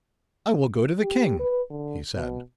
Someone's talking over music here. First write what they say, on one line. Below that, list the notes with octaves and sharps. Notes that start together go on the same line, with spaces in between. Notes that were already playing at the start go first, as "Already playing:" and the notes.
"I will go to the king," he said.
G4
B4
D3
B2